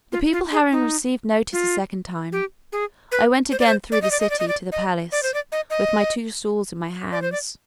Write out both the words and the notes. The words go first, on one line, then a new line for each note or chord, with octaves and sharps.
The people having received notice a second time, I went again through the city to the palace with my two stools in my hands.
F4
F4
G#4
D#4
F4
G4
G#4
B4
C5
D5
C5
D5
D#5
D5
D#5
D5
D#5
D5
D#5
D5
C5
D5
D#5
D#5
D5
C5
D5